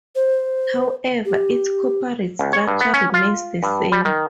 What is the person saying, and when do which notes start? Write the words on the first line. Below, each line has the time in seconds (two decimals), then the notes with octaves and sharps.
However, its corporate structure remains the same.
0.15 C5
1.25 G4
2.39 C#2
2.53 C#5
2.68 G2
2.81 B3
2.94 C#4
3.14 F4
3.63 G2
3.92 G3
4.05 D#3